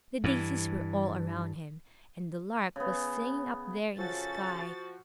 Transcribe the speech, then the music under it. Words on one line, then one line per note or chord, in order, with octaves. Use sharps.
The daisies were all around him, and the lark was singing up there in the sky.
G2 E3
C#3 B3
C#3 F3 C#4 F4 F#4 A4 C5 A6